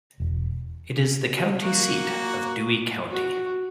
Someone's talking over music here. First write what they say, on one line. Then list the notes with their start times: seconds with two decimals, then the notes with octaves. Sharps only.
It is the county seat of Dewey County.
0.20 E1
1.62 A#3 F#4
3.10 F#4